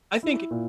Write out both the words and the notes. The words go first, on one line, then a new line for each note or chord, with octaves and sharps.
I think,
E4
A#2